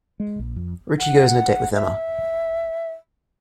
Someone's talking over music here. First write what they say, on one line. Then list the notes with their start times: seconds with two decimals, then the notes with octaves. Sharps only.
Richie goes on a date with Emma.
0.20 G#3
0.39 A#1
0.56 F2
0.99 F#5
1.74 E5